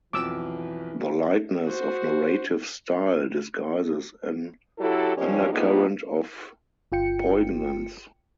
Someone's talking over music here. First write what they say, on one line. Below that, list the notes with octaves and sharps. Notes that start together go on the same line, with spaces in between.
The lightness of narrative style disguises an undercurrent of poignance.
B1 F2 E3 D6 E6
F#4 C5
F#3 E4 G4 A4
D#2 D#3 F3 G3 C#4 G4
C3 G#3 A#3 B3 D#4 F4
G1 F4 G5 C#7